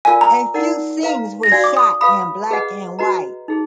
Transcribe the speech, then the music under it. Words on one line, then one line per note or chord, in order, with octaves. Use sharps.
A few scenes were shot in black and white.
F4 A#4 D5 F5 G#5
A#5
D#4 A#4 D5 F#5
B4 F5 A#5
A#6
F#4 D5 F5 G#5 G#6
D6
D#6
B4 F5 B5 D#6
G#4 B4 D#5 F#5
F#4 B4 D#5 A#5
D#4 G#4